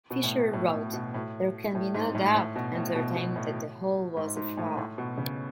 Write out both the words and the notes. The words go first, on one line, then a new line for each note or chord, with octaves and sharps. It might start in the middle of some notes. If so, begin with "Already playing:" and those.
Fisher wrote: "There can be no doubt entertained that the whole was a fraud.".
B2
A2
A2
A2
B2
A2
A2
G#2
A2
A2
B2
A2
B2
B2
A2
G#2
G#2
A2
A2
B2
C#3